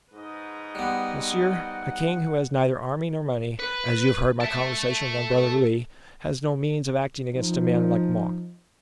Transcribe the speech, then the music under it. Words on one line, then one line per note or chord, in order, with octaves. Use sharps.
"Monsieur, a king who has neither army nor money, as you have heard my conversation with my brother Louis, has no means of acting against a man like Monk."
G#2 B4 D#5
G3 B3 F#5
B4
A4 E5
F3 D#4